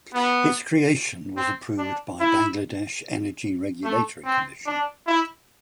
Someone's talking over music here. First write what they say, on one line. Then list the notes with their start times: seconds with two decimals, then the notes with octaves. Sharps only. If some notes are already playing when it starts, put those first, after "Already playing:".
Its creation was approved by Bangladesh Energy Regulatory Commission.
0.14 B3
1.37 C4
1.78 D4
2.20 E4
3.84 A3
4.25 C4
4.66 D4
5.07 E4